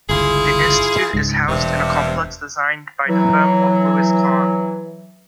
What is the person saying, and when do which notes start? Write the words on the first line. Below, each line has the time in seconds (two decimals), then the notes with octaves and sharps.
The institute is housed in a complex designed by the firm of Louis Kahn.
0.09 G1 C#2 E4 F4 G#4
1.13 C#2 G#2
1.49 E1 G2 C3
3.08 E3 F#3